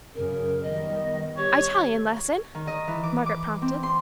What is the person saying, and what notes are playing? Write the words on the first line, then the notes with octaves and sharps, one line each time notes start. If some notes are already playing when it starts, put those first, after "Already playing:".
"Italian lesson," Margaret prompted.
F#2 C#3 A#4
D#3 G3 B3 D#5
G4 C#5
D#3
D#5
E3
D6
D6
C4
C6